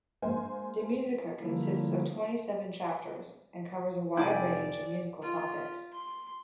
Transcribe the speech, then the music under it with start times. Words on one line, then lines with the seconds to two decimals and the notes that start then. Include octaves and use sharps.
"De musica" consists of twenty-seven chapters, and covers a wide range of musical topics.
0.22 G#3 A#3 C5 G#5
1.39 D3 F3 G3 A3 A#3 E4
4.17 F1 E4 D5 G5 G#5 D6 G#6
5.22 F4
5.92 C6